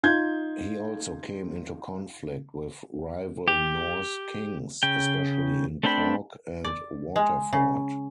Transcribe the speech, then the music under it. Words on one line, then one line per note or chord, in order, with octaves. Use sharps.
He also came into conflict with rival Norse kings, especially in Cork and Waterford.
D#4 F4 G6 G#6
G4
C#3 G5
A3 C4 D4 G5 B5
D5
G#3
C#3